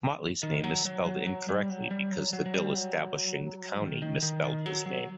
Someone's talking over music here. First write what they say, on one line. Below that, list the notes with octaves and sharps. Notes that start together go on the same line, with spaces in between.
Mottley's name is spelled incorrectly because the bill establishing the county misspelled his name.
D#3
F#3
F#3
F#3
F#3
G3
F#3
G3
F#3
F#3
F#3
G3
F#3
D#3
D#3
D#3
D#3
F#3
F#3